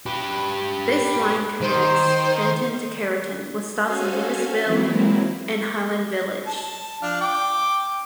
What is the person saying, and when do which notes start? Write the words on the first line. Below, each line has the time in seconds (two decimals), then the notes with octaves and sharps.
This line connects Denton to Carrollton, with stops in Lewisville and Highland Village.
0.06 G4 B4
1.61 D#3 C5
3.85 C#4 F#4 A4 C5 F5 G#5
4.65 E3 F#3 G#3 A#3 C4 E4
6.47 A5
7.02 F3 D4 F5
7.21 G5 D6